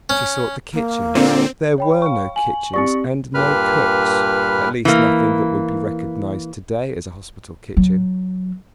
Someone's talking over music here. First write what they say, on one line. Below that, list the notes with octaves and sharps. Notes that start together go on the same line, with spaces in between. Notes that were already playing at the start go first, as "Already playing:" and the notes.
She sought the kitchens; there were no kitchens, and no cooks; at least nothing that would be recognized to-day as a hospital kitchen.
C#4
A#3
A#2 D3 C4
C#5 G5 B5
F5 C#6
G#5 F#7
C4 G4 D5 C#6 A6 C#7
G2 A#2 G3 B4 B5 F6
E3 A#3
F#3